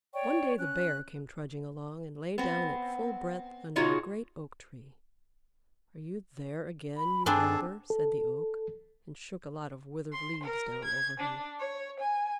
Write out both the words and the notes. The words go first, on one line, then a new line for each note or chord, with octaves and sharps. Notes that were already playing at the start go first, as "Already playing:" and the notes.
One day the Bear came trudging along and lay down at full breadth under a great Oak Tree, "Are you there again, you robber?" said the Oak, and shook a lot of withered leaves down over him.
C#5 D5 G5 C#6
C#4 F#6
B3 C4
B2 D#4 F4 F#4 G#4 C#5
B5
G2 B3 C4 D4 G#4 A4 G#5 A5
A4
C6
A#4
G#6
D4
C#5
G#5